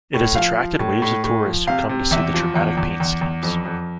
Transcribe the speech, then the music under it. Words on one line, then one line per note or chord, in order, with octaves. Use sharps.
It has attracted waves of tourists who come to see the dramatic paint schemes.
A2
F3 F5
F3
A2
A2
A2
F3
C3 F5
C3
E2 E5
F3
E2
E2
E2
E2
F2
F2